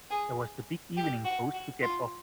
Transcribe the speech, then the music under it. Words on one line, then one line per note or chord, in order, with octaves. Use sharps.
There was the big evening post to get off.
G#4
G4
F#4
F#4
F4